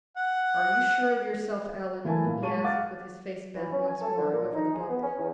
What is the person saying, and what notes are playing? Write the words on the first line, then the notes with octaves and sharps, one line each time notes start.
"Are you sure of yourself, Allan?" he asked, with his face bent once more over the book.
F#5
E3 A3 E4 A#4 G#5 A5
A#2
G#3 G#4 C#5 A5 C#6 D#7
F5 F#5 D6 A6
E3
C#4
G#5
A4
D3
A#2
D#4
G#4
B3
C#4
E2